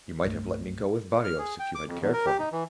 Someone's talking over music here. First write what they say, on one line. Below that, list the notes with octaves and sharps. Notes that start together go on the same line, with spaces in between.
You might have let me go with Barrios if you had cared for me.
C2 G2 A3
F6
G#4
G5
D6
F2
E2
A#4
G4
D#4
E3